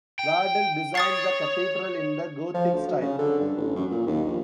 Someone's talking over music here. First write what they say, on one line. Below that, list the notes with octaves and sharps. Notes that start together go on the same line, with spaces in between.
Wardell designed the cathedral in the Gothic style.
G5
C#5 D#6 A6 C7
F3
D2
F#3
C#3
D3
G2
A1
F#2
A#2
D#2
A#1